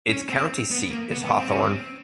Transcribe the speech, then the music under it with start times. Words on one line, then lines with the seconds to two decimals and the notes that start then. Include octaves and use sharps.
Its county seat is Hawthorne.
0.09 C#4
0.29 C4
0.71 B3
0.90 A#3
1.11 B3
1.25 B3
1.38 C4
1.49 C#4
1.61 C4